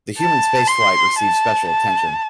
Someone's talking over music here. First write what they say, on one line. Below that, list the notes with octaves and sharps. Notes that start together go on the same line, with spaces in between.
The human spaceflight received special attention.
A5
C6
A5
A5